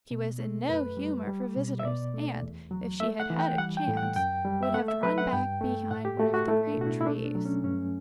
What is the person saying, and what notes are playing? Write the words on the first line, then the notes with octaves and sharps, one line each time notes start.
She was in no humour for visitors and, if she had had a chance, would have drawn back behind one of the great trees.
B2
A3
F#2 B4
G3
G3
B2
E5
B2 D5
A3
E2
F#3
A3 E5
F#5
E3
G5
G3 F#5
G5
A2
F#5
F#2 G5
G3
E5
A3 F#5
E5
F#3 B4
F#5
G2 G5
A3
A2 F#5
G4
A3 F#4
F#4
A3 E4
D4
B2 F#4
E4
E4
A3 D4
D4
F#3
C#4
G2 C#4